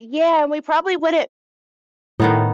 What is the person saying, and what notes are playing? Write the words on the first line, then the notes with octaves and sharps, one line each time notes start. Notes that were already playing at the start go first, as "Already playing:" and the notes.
Yeah, we probably wouldn't
A2 D#3 B3 D#4